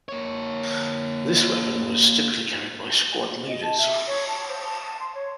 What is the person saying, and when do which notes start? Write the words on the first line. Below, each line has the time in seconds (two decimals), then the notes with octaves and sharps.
This weapon was typically carried by squad leaders.
0.09 A#3 C#5
3.48 D#5
3.62 A5
3.78 E5
4.07 C#5
4.28 A5
4.48 C5
4.65 A5
4.86 A5
5.00 C6
5.15 C#5